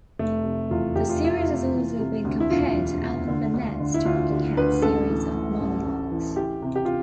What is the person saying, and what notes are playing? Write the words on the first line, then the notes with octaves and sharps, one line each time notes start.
The series has also been compared to Alan Bennett's "Talking Heads" series of monologues.
F1 A3
C3
E2 F4
F1 G4
F4
F1 E4
F4
C3
E3
C3
D2
E4
E1 F4
E3
C3
D3
D2
D3
E4
D2 F4
D3
D2 B4
A1 A4
E3
A2
A1
A1
E3
E3 G4
C3
G4
F4